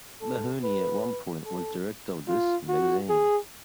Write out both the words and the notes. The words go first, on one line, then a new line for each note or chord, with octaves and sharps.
Mahony at one point was director of this magazine.
A4
B4
A4
F4
F#4
G#4